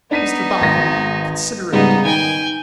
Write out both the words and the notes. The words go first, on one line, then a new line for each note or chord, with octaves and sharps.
'Mr Boffin, consider it done.
B3 D4 D#4 B6 D#7
G#1 A#6
G#2 C#3 G3 B3 D#4
D#3 G5 G#5